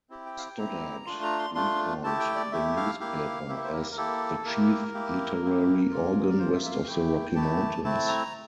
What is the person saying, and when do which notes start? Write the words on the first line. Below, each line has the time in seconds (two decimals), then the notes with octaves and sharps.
Stoddard recalled the newspaper as "the chief literary organ west of the Rocky Mountains".
0.10 C4 E4 G4
0.26 G5
0.38 F5
0.42 G5
0.58 C4 E4 G4 A#5
1.06 A3 D4 F4 C6
1.23 A#5
1.39 C6
1.55 A3 D4 F4 C6
2.04 A3 E4 G4 A5
2.20 G5
2.36 D5
2.52 A3 E4 G4 E5
2.77 F5
3.00 A#3 E4 G4 F5
3.49 A#3 E4 G4 E5
3.64 C5
3.73 A#4
3.92 A#4
3.97 A#3 E4 G4 A4
4.45 A#3 E4 G4 A#4
4.94 A#3 E4 G4
5.42 A#3 E4 G4
5.91 A#3 F4
6.29 D5
6.39 A#3 F4 C5
6.55 E5
6.66 E5
6.71 F5
6.87 A3 E4 G4 G5
7.35 A3 E4 G4 A5
7.84 A3 C4 E4 A5
8.08 A#5